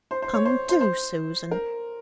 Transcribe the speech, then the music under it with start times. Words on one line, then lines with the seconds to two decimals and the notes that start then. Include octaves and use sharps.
Come, do, Susan.
0.11 C5
0.22 C5
0.34 C#5
0.45 C5
0.69 C5
0.81 C5
1.51 A#4